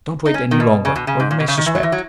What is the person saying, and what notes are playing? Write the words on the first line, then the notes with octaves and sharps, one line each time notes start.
Don't wait any longer or he may suspect.
D#4
C#4
D#3
B2
C#3
B2
C#3
G#2
A#2
B2
C#3
D#3
E3
F#3
E3
F#3